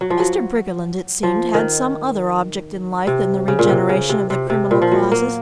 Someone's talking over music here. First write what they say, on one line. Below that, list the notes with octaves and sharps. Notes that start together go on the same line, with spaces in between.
Mr. Briggerland, it seemed, had some other object in life than the regeneration of the criminal classes.
F#3
F3
F#3
F3
D#3
C3
C#3
A#2
C3
C#3
C3
C3
C3
A#2
F3
F#3
A#3